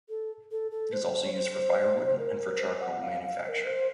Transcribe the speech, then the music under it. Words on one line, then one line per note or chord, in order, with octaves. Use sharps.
It is also used for firewood and for charcoal manufacture.
A4
A4
A4
C5
C5
C#5
C5
A#4
C5
F#5
F5
F5
C5
A#4
C5